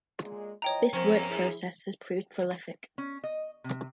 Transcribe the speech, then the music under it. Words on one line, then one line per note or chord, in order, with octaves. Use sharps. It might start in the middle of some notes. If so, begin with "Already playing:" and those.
This work process has proved prolific.
A#2 G#3
E3 F3 C#5 D#5 G5 A#5
E3 F3 A#3 C4 C#4 A#4 C5 C#6
E4 G#4
C#4
D#5
C3